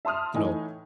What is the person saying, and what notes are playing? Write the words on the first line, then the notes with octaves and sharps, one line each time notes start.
you know,
E5 A5 C6 D#6 F6
A2 E3 D#4 G#5